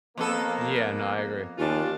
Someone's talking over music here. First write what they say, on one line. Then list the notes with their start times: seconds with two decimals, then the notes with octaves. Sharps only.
Yeah. No, I agree.
0.17 F2 A#3 B3 A4
1.58 D#2 C#4 D4 F4